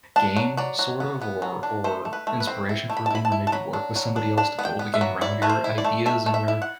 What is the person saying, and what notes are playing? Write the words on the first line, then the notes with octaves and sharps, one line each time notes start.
game, sort of, or or inspiration for a game, or maybe work with somebody else to build a game around your ideas and your
D4 A5
F#3
F#3 D5
F#3
B3
B3
F#3
D4
A3 C5
A3
B4
A3
B4
C4
E4
A3
B5
A5
E4 B5
A5
E4
A5
F#3 B5
D4
F#3
D4
D4 A5
B3
G5
B3
E5
F#3
E4 D5
A3 B4
C5
E4
D5
A3
A3 E5
A3
E5
E4
F#5